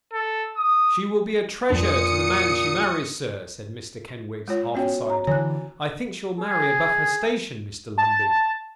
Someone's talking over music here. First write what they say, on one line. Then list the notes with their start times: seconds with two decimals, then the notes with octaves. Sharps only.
'She will be a treasure to the man she marries, sir,' said Mr Kenwigs, half aside; 'I think she'll marry above her station, Mr Lumbey.'
0.13 A4
0.57 D#6
1.70 F2 A#2 D4 D#6 C#7
4.48 G#3 F4 C#5
4.75 B3 C#4 F#4 C#5 G5
5.06 C#5 A#5
5.27 D3 E3 C#5 G#5 F#6
6.38 G#4
7.98 A5